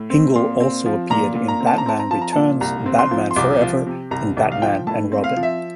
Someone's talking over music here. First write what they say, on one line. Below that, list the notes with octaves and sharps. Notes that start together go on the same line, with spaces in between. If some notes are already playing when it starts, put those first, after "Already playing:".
Hingle also appeared in "Batman Returns", "Batman Forever", and "Batman and Robin".
Already playing: A2
C4
A#2 C6
C4
F3
A#2 A#5
A#2
A#5
C4
A5
A#5
C4 A5
A#5
F3 A5
A#5
A#2 A5
C2 A#5
C4
C6
F3
C6
C2 D6
F3
C3
C2 A#5
C2
F5
F3 G5
A2 A5
C4
F5
F3
E5